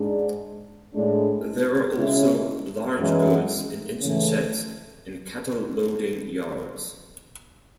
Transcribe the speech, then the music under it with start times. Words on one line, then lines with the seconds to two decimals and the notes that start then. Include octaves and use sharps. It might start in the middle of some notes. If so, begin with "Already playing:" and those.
There are also large goods and engine sheds, and cattle loading yards.
Already playing: G#2 G#3 D4
0.94 A2 G#3 D4
1.96 C#3 G#3 C#4 E4
2.98 F#2 E3 G#3
4.01 C#3 E3 A3